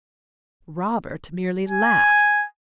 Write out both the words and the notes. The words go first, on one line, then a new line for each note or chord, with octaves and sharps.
Robert merely laughed.
G#5